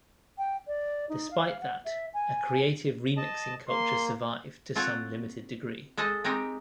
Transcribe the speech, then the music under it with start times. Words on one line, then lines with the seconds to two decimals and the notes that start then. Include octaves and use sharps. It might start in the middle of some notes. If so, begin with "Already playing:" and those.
Despite that, a creative remixing culture survived to some limited degree.
0.38 G5
0.67 D5
1.09 D#4
1.31 F5
1.61 F#5
1.85 E5
2.14 G#5
3.17 D#5 A5
3.69 A#3 C6
4.75 C4 F4 A4 C#5 F#5
5.97 G#3 A4 C5 D#5
6.24 G#3 C4 D#4 G4 A#4